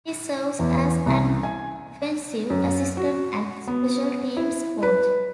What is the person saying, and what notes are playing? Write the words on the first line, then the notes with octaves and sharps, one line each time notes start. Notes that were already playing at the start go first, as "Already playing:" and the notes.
He serves as an offensive assistant and Special Teams coach.
E2
C2
G#5
F#2
F#4
B3
E4
B4